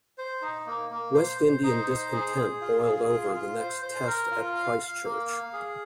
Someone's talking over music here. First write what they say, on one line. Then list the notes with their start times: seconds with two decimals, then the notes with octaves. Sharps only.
West Indian discontent boiled over the next Test at Christchurch.
0.18 C5
0.42 D#4
0.66 A#3
0.91 A#3
1.14 C5
1.39 C5
1.63 D#4
1.87 C5
2.13 G#4
2.36 G#4
2.61 F4
2.85 G#4
3.09 F4
3.33 F4
3.58 C5
3.82 C5
4.07 A#4
4.31 F4
4.56 F5
4.79 F5
5.05 A#3
5.29 F5
5.53 G#4